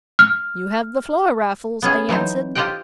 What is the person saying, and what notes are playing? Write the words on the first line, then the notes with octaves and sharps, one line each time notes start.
"You have the floor, Raffles," I answered.
F6
B3 C#4 G#4
E3 F#3 D#4 C5
F4 G4 C5 D#5 F#5 G5